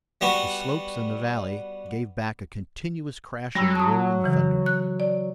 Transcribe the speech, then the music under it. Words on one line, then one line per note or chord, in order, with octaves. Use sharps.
The slopes and the valley gave back a continuous crash of rolling thunder.
G3 B3 F#4
F#3 G3 B5 E6
A5 D#6
C#3 E3
F#6
D5